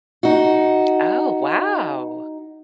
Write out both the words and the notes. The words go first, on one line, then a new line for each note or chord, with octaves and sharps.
Oh, wow.
D#4 F#4